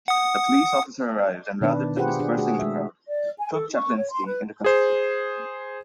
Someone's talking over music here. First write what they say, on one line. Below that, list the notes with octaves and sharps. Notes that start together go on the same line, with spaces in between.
A police officer arrived and, rather than dispersing the crowd, took Chaplinsky into custody.
F#5 D#6
B2 D#3 B3 D4 B4
F4 G4 G#4 B4 C5 F#5
D4 G#4
A3 F#4 G#4
G#3 E5
D5
G#5
A4
C#6
C#5
C6
B4
G#4 C5